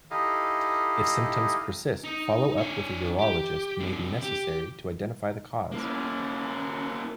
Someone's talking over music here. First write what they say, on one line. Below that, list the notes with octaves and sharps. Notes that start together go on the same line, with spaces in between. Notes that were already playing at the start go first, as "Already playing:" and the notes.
If symptoms persist, follow-up with a urologist may be necessary to identify the cause.
D#4 E4 G4 A4 D#5 F5
D#4
D4 C#5
G4
C3 D4
G4
A#3 C#4 E4